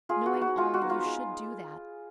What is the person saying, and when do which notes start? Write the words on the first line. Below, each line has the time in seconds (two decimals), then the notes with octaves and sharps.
Knowing all, you should do that.
0.09 G#3 F4 G#4
0.26 F#4
0.33 B3 D#4
0.42 F#4
0.57 G#3 F4
0.74 F#4
0.82 B3 D#4
0.90 F4
1.05 G#3